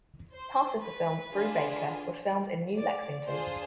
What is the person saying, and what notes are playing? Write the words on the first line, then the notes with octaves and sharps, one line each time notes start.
Part of the film "Brubaker" was filmed in New Lexington.
C5
B4
D4 F4 G#4
D5
D4 F4 G#4 C5